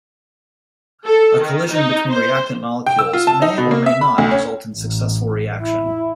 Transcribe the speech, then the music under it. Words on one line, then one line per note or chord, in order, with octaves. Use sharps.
A collision between reactant molecules may or may not result in a successful reaction.
A4
D#3
D#4
C5
G5
E6
F4
A5
D#4
B2
A#3
E5
B5
D2
C#4
A1
E4